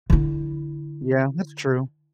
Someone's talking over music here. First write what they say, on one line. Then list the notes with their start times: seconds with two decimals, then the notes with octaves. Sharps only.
Yeah, that's true.
0.10 D3 E4